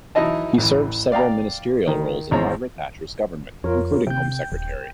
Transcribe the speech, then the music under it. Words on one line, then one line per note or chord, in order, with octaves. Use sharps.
He served several ministerial roles in Margaret Thatcher's government, including Home Secretary.
E3 F#3 D#4 E4 D#5 A5
A1 E3
D5 F5 G5 A#5
D#3
G#1 E2 G#3 C5 C#5 A#5
F2 F4 A#4 C#5
C3 G5 G6
D#1